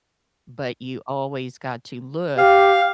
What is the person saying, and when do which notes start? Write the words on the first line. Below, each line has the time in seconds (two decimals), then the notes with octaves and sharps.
But you always got to look
2.38 G4 F5